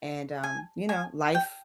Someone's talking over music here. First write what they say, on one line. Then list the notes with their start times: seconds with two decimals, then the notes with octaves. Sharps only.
And, um, you know, life
0.44 G#5
0.89 G#5
1.35 G5